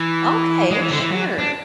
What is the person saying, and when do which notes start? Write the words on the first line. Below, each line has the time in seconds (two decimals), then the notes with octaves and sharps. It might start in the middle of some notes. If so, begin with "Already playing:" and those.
Okay, sure.
Already playing: E3
0.71 G#3
0.81 E3
0.91 D3
1.01 E3
1.11 F#3
1.38 D4